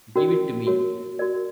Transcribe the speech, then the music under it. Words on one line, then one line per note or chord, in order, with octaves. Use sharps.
Give it to me!
C#4 F#4 A#4 D5
F#4 A#4 C#5
F#4 A#4 D5